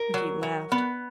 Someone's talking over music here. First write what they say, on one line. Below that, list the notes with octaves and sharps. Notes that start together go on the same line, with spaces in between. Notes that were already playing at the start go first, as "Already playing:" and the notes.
Rickie laughed.
Already playing: A#4
F#3
F#3
B3